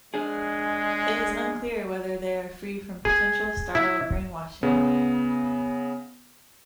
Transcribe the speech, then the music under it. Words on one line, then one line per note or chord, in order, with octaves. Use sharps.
It is unclear whether they are free from potential Starro brainwashing.
G#3 D4 G#4
G#4
E4
C#3 B3